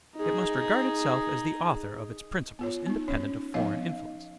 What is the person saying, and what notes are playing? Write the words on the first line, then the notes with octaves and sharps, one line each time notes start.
It must regard itself as the author of its principles independent of foreign influences.
D#4 G#4
B3 F4 C#5
B3 D#4
C#4 C#5
F3 B3 D#4 C#5 D#5 F5